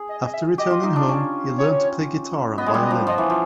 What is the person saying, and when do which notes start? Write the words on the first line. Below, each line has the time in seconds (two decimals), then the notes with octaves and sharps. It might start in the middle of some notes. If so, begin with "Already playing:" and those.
After returning home, he learned to play guitar and violin.
Already playing: G#4
0.09 D#5
0.26 D#5
0.34 E5
0.58 G4 D#5
0.71 F4
0.83 D#4
0.96 D4
1.08 C#4
1.58 C#5
2.58 B3 D#5
2.66 G#3
2.74 G3
2.83 D#5
2.91 F3
3.07 F3 D#5
3.18 E3
3.30 F3